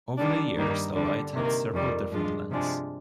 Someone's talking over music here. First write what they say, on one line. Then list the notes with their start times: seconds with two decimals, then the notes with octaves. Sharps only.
Over the years the light had several different lens.
0.18 D#3 G3 D4
0.57 G2 D#3 G3 A#3 D#4
0.95 D3 G3 D4
1.34 C3 D#3 A#3
1.73 F2 D#3 G3 A#3
2.12 G2 F3 G#3 D4 F4
2.51 C3 F3 G#3 D4